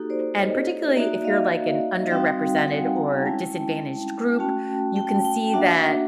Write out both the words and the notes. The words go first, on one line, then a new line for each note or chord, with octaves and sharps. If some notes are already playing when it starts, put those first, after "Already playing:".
and particularly if you're like, an underrepresented or disadvantaged group, you can see that
Already playing: A#3 D#4 F#4 G4 A4
C5 D5
C#5 D#5
A#3 D#4 F#4 D5 E5
D#5 F5
G3 C4 D#4 F#4 F5 G5
F#5 G#5
G#5 A#5
G#3 C#4 E4 G5 A5
A3 C#4 F#4 G5 A5
G5 A5
G5 A5
A#3 D4 F#4 E5 F#5